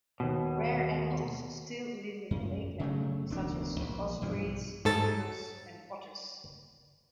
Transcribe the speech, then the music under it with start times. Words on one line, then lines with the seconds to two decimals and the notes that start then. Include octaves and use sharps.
Rare animals still live in the lakeland, such as ospreys, beavers and otters.
0.20 D#2 B2
2.31 F#2
2.79 C#3 F#3 A3
3.30 E1 D2 D4
3.80 A#1
4.21 B1 G2 E3 F3
4.85 G#2 A4 A6